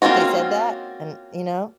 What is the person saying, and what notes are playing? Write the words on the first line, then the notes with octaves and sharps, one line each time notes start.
if they said that and, you know,
A#3 C4 C#4 F4 F#4